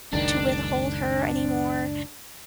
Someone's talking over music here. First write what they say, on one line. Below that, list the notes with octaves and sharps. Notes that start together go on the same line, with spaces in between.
to withhold her anymore.
F#1 C#2 D#3 D4